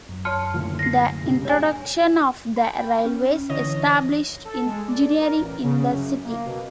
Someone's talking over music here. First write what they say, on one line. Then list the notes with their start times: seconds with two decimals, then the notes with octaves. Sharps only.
The introduction of the railways established engineering in the city.
0.09 F#2
0.25 C#5 A5 C6 F6 C#7
0.54 F#1 D2
0.79 A#6 C7
1.24 C2 C#3
1.45 G2 C#5 G#5
2.56 G5 B5
3.05 C#4
3.49 D3 E3 C#5 D#5 D#6 A#6
4.45 A4
4.66 G#3
4.87 D5
5.21 A#4
5.38 A1
5.63 C#3
5.86 F#2
6.24 A#3
6.45 B2